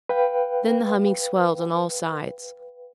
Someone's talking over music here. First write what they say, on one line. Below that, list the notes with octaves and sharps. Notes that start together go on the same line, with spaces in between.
Then the humming swelled on all sides.
B4 F5 G5